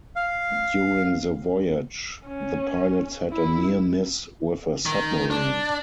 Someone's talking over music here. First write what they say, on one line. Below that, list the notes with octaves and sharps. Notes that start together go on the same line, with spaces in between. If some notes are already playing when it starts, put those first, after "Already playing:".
During the voyage, the pilots had a near-miss with a submarine.
F5
C#4
E4
D#3
D4